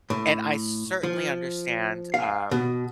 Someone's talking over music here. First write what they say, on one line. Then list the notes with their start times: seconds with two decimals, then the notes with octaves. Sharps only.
and I certainly understand, um,
0.10 A2
1.03 F3
2.14 F5
2.51 B2